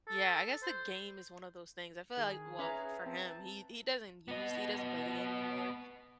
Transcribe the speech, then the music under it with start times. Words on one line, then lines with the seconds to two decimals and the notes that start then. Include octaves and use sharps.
Yeah, I guess the game is one of those things, I feel, like, well, for him, he he doesn't use he doesn't play the game anymore.
0.07 A4
0.63 C5
2.17 D#3 G#4
2.59 C#4 B4 E5 A#5
3.06 C4 A5
4.28 B3 D#5